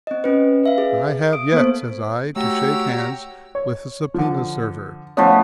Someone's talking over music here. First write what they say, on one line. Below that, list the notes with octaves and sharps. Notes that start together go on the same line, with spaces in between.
I have yet,' says I, 'to shake hands with a subpoena server.'
C4 D#5
C#4 B4
B4 E5 F5
G#4
D#6 D7
A#3 B3 A4 C5
A3 F#4 G4 C#5 A#5 E6
C#5
D3 F3
F3 A3 B3 C#4